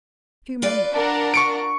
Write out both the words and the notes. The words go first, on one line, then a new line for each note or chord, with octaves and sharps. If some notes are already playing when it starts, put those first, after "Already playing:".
Too many.
F4 B4 D5
D4 A#4 F#5
C#6 C#7 D7